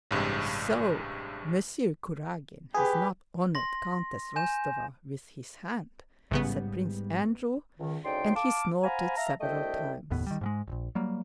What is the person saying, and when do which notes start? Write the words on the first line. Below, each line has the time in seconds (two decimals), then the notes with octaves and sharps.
"So Monsieur Kuragin has not honored Countess Rostova with his hand?" said Prince Andrew, and he snorted several times.
0.11 A1 G2 C3 G#3
2.75 G4 G#4 B4
3.55 C6 A#6
4.36 G#5 G6 E7
6.31 A1 G#2 C#3 G3 B3
7.78 C#2 D#3
8.05 D2 C#3 D#4 D5 G5 C6
8.36 F5 A5 D6
8.84 C5 F5 F#5 G#5 A#5 B5
9.17 E5 F5 A5 A#5
9.41 C2 A3 D4 D#5 E5 G5
10.11 F#1 D#2 A2 B3
10.27 D#3 G3
10.41 G#2 G3 G#3
10.68 E1 A#1
10.95 F#3 G3 A#3